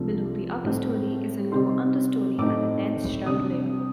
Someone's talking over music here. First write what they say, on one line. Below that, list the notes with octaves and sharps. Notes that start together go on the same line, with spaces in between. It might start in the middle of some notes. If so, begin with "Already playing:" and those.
Below the upper story is a low understory and a dense shrub layer.
Already playing: C2 C3 F3 A3 D4
A2 G3 C4
C3 G3 C4 D#4 C6
A2 A3 C4 D#4 D6
C3 G3 D4 D#6